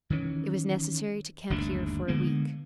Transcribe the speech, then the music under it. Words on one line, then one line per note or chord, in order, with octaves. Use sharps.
It was necessary to camp here for a week.
D#3 E3 G#3 C#4
G1 D#2 A3 D4
D3 G#3 A#3 B3